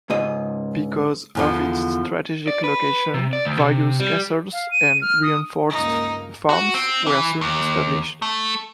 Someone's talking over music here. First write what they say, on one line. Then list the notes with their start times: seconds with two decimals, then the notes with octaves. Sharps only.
Because of its strategic location, various castles and reinforced farms were soon established.
0.10 C#2 G#2 D#5
1.35 E2 D3 F3
2.47 D5
2.64 B4
3.14 C3
3.33 D5
3.45 D2
3.59 C3
4.00 G3
4.53 F5
4.71 D#7
5.02 F6
5.22 D#6
5.70 C#2 G2 A#3 D#4
6.50 F#4
6.74 C4
7.06 E3
7.41 D#2
8.22 A3